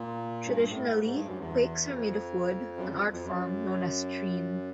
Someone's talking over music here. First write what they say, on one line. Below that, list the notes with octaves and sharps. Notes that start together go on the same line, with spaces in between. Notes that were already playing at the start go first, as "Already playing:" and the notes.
Traditionally quaichs are made of wood, an artform known as "treen".
Already playing: A#2
G2
A2
G#2
G#2
G2
F#2
E2
F2
F#2
F2
F2
F#2